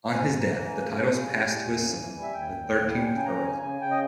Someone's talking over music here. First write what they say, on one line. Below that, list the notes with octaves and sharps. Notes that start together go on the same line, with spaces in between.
On his death the titles passed to his son, the thirteenth Earl.
G#2 G#5
G#2
A#5
E3
A#5
C#3 G#5
C#4
C#3
G3
G3
E2
C#3
E3
G3
E5
D#2 G5
D#2
D#2
G3 G5
G#5
C#3 G5
G#5
C#4 A#5
C#3 G#5
C#3 G#5
C#3 G5
D#5